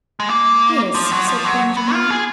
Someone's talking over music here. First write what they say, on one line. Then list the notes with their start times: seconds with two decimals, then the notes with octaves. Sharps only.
"Yes," said Benjamin.
0.20 G#3
0.29 A#3
0.95 F3
1.11 F#3
1.28 F3
1.44 F#3
1.77 B3
1.93 F4
2.10 G#4